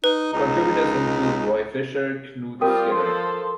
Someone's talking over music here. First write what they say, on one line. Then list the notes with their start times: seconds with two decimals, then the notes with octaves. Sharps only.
Contributors included Roy Fisher, Knute Skinner.
0.04 D#4 B4
0.33 C#2 D#4
2.61 G3 C4 F4 A#4 G5 D#6
2.91 F3 A4 C5 C6